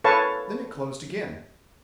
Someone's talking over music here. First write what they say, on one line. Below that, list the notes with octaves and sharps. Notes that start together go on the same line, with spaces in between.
Then it closed again.
A4 B4 C#5 F5 A5 C#6